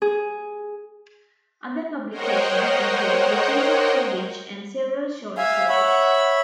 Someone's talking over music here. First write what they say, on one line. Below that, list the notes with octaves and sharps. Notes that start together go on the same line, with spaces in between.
Other publications include "The Season of the Witch" and several short stories.
G#4
A#4 C5 C#5 D#5 F#5 G5
E5 F5 G#5
C#5 E5 F#5 B5